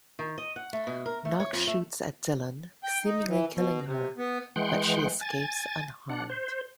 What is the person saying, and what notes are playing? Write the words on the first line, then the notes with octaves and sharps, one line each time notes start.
Knox shoots at Dylan, seemingly killing her, but she escapes unharmed.
D#3
D#5
F#5
A3
B2
A#4
A3
C#5
F2
A3
G5
D#4
E3
B2
C3
B3
E3 G#3 F#5 G5 C6
G#5 A6
D4 F#5
C5